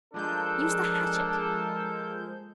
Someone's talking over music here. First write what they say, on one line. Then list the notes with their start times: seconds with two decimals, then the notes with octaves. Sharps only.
Use the hatchet!...
0.14 F3 G#3 A#3 D4 A4 G6